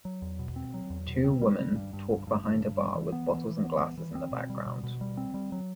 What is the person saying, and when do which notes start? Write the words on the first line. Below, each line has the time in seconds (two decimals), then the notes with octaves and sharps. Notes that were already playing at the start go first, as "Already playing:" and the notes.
Two woman talk behind a bar with bottles and glasses in the background.
0.05 F#3
0.22 E2
0.39 B2
0.56 C4
0.74 F#3
0.90 E2
1.07 B2
1.24 C4
1.41 G3
1.59 G3
1.76 G2
1.93 G2
2.10 G2
2.27 G2
2.44 G2
2.61 G2
2.78 G3
2.95 E3
3.12 B3
3.30 E3
3.47 E3
3.64 B3
3.81 E3
3.98 E3
4.15 C4
4.31 B2
4.50 G3
4.66 B2
4.83 B2
5.01 G3
5.17 C4
5.34 G3
5.52 F#3